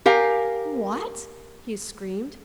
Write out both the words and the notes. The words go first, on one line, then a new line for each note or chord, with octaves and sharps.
"What?" he screamed.
G4 A#4 F5 G#5